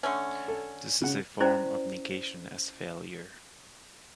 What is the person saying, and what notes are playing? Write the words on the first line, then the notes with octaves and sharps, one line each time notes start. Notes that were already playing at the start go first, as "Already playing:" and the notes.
This is a form of negation as failure.
D3 A3 C#4
A4
C#3 F#5
C#4 E4 C5 D5